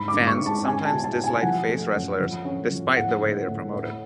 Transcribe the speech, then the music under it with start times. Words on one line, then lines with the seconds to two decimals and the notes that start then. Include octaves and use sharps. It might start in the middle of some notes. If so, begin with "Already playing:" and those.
Fans sometimes dislike face wrestlers despite the way they are promoted.
Already playing: G#2 B5
0.08 D6
0.14 G#2
0.27 C#6
0.40 G#2
0.46 A5
0.65 C#4 G#5
0.85 A5
0.92 B2
1.04 A5
1.17 B2
1.24 G#5
1.42 F3 F#5
1.69 A3
1.94 F#2
2.20 F3
2.45 C#4
2.70 F3
2.96 A2 F#5
3.22 A2
3.47 A2
3.73 A2